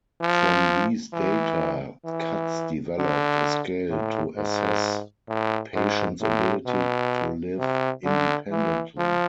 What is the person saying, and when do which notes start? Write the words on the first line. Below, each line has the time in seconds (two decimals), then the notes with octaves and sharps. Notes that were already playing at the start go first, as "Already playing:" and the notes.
From these data, Katz developed a scale to assess patients' ability to live independently.
0.21 F3
1.13 E3
2.05 E3
2.98 D3
3.90 A2
4.36 G#2
5.29 A2
5.74 G#2
6.21 A2
6.66 B2
7.59 C3
8.05 D3
8.51 E3
8.97 F3